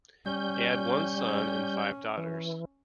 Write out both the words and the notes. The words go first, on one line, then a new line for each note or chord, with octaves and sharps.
They had one son and five daughters.
G3 C#4 G6
E3